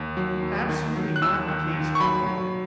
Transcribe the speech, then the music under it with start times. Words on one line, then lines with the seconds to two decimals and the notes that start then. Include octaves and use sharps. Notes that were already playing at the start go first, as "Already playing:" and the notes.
absolutely not the case, by the way,
Already playing: D#2
0.17 F#3
0.42 D#2
0.69 D#3
0.96 F#3
1.16 F#6
1.21 D#2 E6
1.48 D#3
1.74 D#2
1.95 C#6
2.00 F#3 B5
2.27 F#3